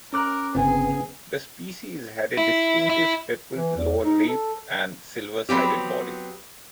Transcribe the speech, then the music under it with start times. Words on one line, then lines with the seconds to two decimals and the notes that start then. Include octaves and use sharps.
The species had a distinctive speckled lower lip and silver sided body.
0.13 C#4 A#4 D6 F#6
0.55 G1 C#3 B3 C4 G#4
2.37 E4
2.89 E4
3.56 E3
3.77 E2
4.04 D#4
4.28 A4
5.49 F#3 B3 C4 G4